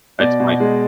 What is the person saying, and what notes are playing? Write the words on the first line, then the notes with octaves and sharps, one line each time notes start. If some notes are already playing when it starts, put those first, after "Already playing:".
that's my
B2 D5
B2
G#3